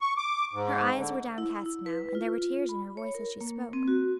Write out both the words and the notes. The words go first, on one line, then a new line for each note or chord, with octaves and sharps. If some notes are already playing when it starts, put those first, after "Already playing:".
Her eyes were downcast now, and there were tears in her voice as she spoke.
C#6
D6
G#2
D3
E4
E4
B4
F4
B5
C#5
A#4
A#3
C4
F#4